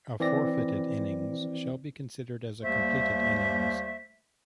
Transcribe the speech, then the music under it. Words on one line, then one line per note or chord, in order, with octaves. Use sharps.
A forfeited innings shall be considered as a completed innings.
E3 C4 D5 A#6
D#2 G3 A3 A#3 C5 E5